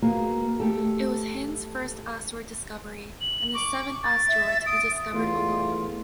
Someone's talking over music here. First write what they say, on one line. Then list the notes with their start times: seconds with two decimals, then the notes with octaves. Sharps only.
It was Hind's first asteroid discovery and the seventh asteroid to be discovered overall.
0.02 A#3 B3 F#4 G#4
0.60 A3 G4 A4
3.21 F#7
3.54 C#6 D6
4.04 A6
4.29 E5
4.66 D#6 D7
5.14 E2 A3 F4